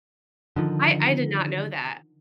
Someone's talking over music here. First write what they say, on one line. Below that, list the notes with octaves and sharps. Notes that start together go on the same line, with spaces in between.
I I did not know that.
D3 D#3 F3